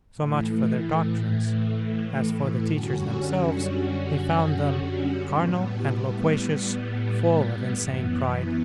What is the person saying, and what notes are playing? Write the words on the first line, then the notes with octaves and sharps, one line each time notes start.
So much for their doctrines; as for the teachers themselves, he found them "carnal and loquacious, full of insane pride."
A2 E3 A3
F#2 D3 G3 C#4 F#4
A2 G3 B3
F#2 E3 B3